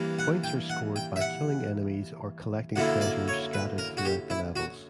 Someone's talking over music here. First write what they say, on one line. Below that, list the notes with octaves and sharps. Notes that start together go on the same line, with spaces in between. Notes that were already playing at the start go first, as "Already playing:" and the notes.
Points are scored by killing enemies or collecting treasures scattered throughout the levels.
Already playing: G2 E3 A#3
F#5
G5
F#5
G5
E5
F#5
F#2 D3 A#3 E4 F#5
D5
C#5
B4
A#4
F#4
G4
E4
F#4